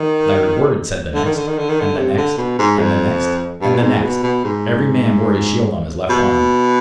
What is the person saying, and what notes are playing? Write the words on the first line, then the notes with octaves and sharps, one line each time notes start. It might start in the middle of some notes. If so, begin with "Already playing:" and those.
"Thy reward," said the next--and the next--and the next--and the next; every man wore his shield on his left arm.
Already playing: D#3
D3
D#3
D3
D#3
D3
D#3
D3
C3
D3
B2
G#2
F2
G2
B2
G#2
B2
B2
G#2
B2